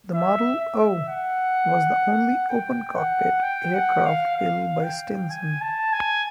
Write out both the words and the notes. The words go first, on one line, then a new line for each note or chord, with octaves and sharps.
The Model O was the only open-cockpit aircraft built by Stinson.
E5
E5
F#5
G5
F#5
G5
F#5
F5
F5
G5
G#5
A5
G#5